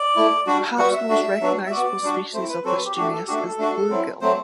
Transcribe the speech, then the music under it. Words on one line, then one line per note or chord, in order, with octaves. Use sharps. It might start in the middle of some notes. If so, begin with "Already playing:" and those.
Perhaps the most recognizable species of this genus is the bluegill.
Already playing: D5
A3 E4
G3 D4 F#4
G3 B3 F#4 F#5
E5
A3 D4 F#4
F#3 B3 D4 F#4
E5
B3 F#4 D5
G3 D4 F#4
A3 C4 E4 C5
B4
F#3 C4 F#4 A4
B4
G4
A3 D4 F#4 G4
A4
A3 D4 F#4 G4
A4
A4
A3 D4 F#4
F#3 C4 E4
F#3 A3 C4 C5